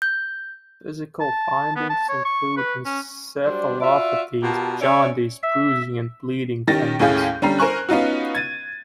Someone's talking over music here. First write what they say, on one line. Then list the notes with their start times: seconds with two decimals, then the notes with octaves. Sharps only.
Physical findings include encephalopathy, jaundice, bruising and bleeding tendency.
0.02 G6
1.21 A5
1.76 B3
1.90 A5
2.09 C#5
2.25 C#6
2.57 B4
2.85 C#4
3.45 F#3 G3 D4 C5 D5
3.81 F4 F#4 D5 E5
4.42 B2 F4 G4 A#4 A5
4.81 C#4 C#5 D5 E5
5.43 E5
6.67 D#3 C#4 G4 A6 A#6
6.99 D#2 A2 C#4 G#4 F5 G6
7.42 D3 G3 C#4 A#5 C7
7.59 A#4 C5 G#5 C#6 F#6
7.89 B3 C#4 D#4 F4 F#4
8.35 G#6 A6 D#7